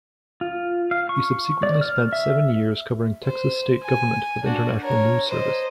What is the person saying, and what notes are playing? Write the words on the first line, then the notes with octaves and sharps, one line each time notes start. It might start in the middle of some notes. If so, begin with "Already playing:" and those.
He subsequently spent seven years covering Texas state government for the International News Service.
F4
F5
C#6
D5
F6
E5
C5
G#5
D4 F#4
A#4 C#5
C5 D#5